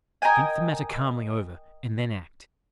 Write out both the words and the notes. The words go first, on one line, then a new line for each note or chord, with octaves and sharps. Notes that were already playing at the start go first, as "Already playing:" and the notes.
Think the matter calmly over, and then act.
A#4 D#5 G5 G#5